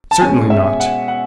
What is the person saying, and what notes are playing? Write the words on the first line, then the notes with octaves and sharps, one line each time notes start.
Certainly not.
A5
B2 G#3 C#4 G#5
E5
F#5
F#5